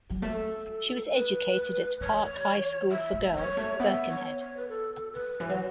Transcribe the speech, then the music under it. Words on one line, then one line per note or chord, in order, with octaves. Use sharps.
She was educated at Park High School for Girls, Birkenhead.
F#3
A3 A4
B4
E3 C#5
E5
A3
F#3 C#5
A3
B3 E5
C#5
C#5
B4
A4
B4
C#3
E3
F#3